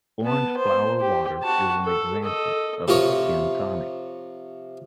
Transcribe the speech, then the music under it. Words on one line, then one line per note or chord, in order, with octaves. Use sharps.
Orange flower water is an example of a skin tonic.
B3 A5
C5
G4
F#4 A5
A4
A4 D#5
C3 F3 A#4 C#5